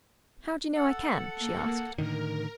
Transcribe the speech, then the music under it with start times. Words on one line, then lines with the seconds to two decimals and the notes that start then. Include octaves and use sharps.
"How do you know I can?" she asked.
0.75 A4 F#5
1.39 A#3
1.98 A2 D3 D#3 A#4